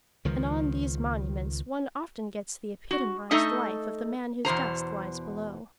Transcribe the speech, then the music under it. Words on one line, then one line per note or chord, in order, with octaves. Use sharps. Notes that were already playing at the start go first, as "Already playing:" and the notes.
And on these monuments one often gets the epitomized life of the man whose dust lies below.
C#2 D#3 F3
F#4
A3 D#4 A4 D#5 E5
E2 B2 C5 A#5